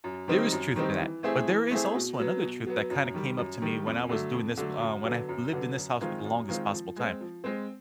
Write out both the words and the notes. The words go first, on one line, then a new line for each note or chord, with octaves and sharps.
There is truth to that, but there is also another truth that kinda came up to me when I was doing this uh, when I lived in this house for the longest possible time.
F#2
D#3 G3 C4 D#4
F#2
D#3 G3 C4 D#4
E3
A3 C4 E4 G#4
E3
A3 C4 E4 G#4
B2
F#3 B3
B2
F#3 B3
F#2
D#3 G3
F#2
D#3 G3
F2
D3 F#3 A3
F2
D3 F#3 A3
F#2
D3 F#3 B3
F#2
D3 F#3 B3
F#2
D#3 G#3 C4 F4
F#2
D#3 G#3 C4 F4
F3
G#3 C4
F3
G#3 C4